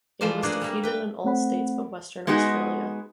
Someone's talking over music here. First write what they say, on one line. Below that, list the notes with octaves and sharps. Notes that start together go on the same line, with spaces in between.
It was defeated in all states but Western Australia.
E3 F3 A3 F4 C5 D5
A3 A#3 D4 G#4 D5 F#5
G3 A#3
B4 G5
A3 C4 F#5 B5
G#3 B3 D#4 F#4 G#4